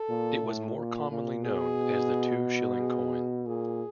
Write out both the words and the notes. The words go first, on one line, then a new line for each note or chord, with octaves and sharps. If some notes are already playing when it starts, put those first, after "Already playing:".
It was more commonly known as the two-shilling coin.
Already playing: A4
A#2
A2
A#2
A#2
B2 G#4
G#4
A#2 G#4